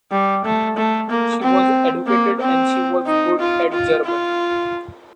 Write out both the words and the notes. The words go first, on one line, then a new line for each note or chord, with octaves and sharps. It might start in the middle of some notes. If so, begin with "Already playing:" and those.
She was educated and she was good at German.
G3
A3
A3
A#3
C4
A#3
C4
D#4
F4
F4
F4